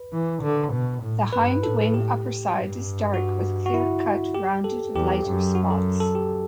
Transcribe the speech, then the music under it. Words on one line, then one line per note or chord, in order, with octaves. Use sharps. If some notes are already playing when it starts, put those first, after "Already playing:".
The hindwing upperside is dark with clear cut rounded lighter spots.
Already playing: B4
E3
D3
B2
A2
G2 B4
A2 A4
G4
G2
F#4
F#4
E4
G4
A4
E2 G4
F#2
F#4
A4
A4
G4